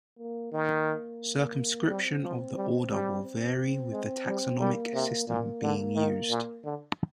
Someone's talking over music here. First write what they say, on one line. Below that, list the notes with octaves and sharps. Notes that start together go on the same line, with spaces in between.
Circumscription of the order will vary with the taxonomic system being used.
A#3
D#3 A#3
G3 C4
F3
G3
G3
C4
G#3
G3
G3 A#3
C3
A#2 A#3
D3
D#3
A#2
D3